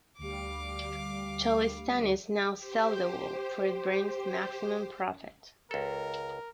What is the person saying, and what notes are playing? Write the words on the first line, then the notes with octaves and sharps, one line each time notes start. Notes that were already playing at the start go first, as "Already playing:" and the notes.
Cholistanis now sell the wool for it brings maximum profit.
D2 G3 F5 D6
G4 C5
C#2 A4 A#4